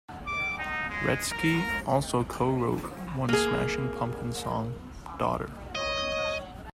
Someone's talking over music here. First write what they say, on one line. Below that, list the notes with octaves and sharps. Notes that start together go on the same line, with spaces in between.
Wretzky also co-wrote one Smashing Pumpkins song, "Daughter".
D6
D#4
G#3
A#4
A#3 G#4
C#5 D#5